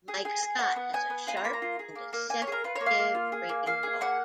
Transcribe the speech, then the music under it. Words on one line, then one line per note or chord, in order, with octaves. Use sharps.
Mike Scott has a sharp and deceptive breaking ball.
G#4
G#4 G#5
G#4
B3 F#5
B3
B3 G#5
B3
F4 G#5
A#5
A#3 B5
A#5
F4
G#4
A#3
A#3
A#3 G#5
C#5
G#4 A#4
F4 B4
C#5
A#3
F5
A#3
F4
G#4
A#3
A#3 F5
G#4
A#3 F#5